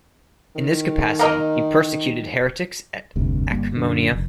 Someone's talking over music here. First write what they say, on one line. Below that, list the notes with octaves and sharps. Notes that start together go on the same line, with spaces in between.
In this capacity he persecuted heretics at Akmoneia.
D#3
A#3 A#4 D#5
F1 D2 G2 C3
G1 G3 A#3
F#2 D3
F1